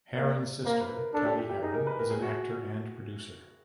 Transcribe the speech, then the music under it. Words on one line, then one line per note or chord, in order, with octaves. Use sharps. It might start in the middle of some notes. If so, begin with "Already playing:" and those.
Harron's sister, Kelley Harron, is an actor and producer.
A#3 D5
A#3 C5
B4
A#4
D4 A4
G4
G4
G4
D#4 G#4
A#4
B4
A#4
G#4
F#4